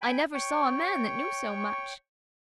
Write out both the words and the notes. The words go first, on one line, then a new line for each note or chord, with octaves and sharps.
"I never saw a man that knew so much!"
G5 G#5 B5
C#5 G5 C#6